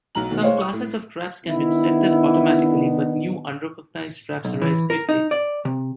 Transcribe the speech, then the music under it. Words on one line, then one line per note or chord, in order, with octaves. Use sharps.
Some classes of traps can be detected automatically, but new, unrecognized traps arise quickly.
B1 F#3 A#5 F#7
B2 D#3 A3
G#3 C5 C#5 F5
C#6 D#6
A2
D#3 B3 D4 E4
B1
E3
A#4
D#4
D5
C3